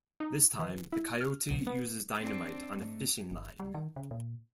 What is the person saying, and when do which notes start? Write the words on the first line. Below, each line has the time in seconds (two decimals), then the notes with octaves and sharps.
This time, the Coyote uses dynamite on a fishing line.
0.20 D#4
0.59 E3
0.92 E4
1.21 F6
1.51 B1
1.67 B3
2.19 C4 D4
2.73 G#2 A3
3.31 G1
3.60 G3
3.74 D#3
3.96 C#3
4.11 A#2